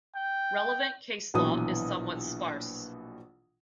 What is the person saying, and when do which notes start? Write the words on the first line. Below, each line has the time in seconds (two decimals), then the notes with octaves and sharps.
Relevant case law is somewhat sparse.
0.16 G5
1.34 A#1 B2 E3 F#3 D#6